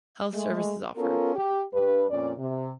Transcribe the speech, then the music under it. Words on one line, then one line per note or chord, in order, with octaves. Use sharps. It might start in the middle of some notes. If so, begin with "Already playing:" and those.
Health service is offered.
G#3 A3
B3 C#4 F4 A4 A#4
G4
G2 B4
F2 A#2 C#4 D5
C3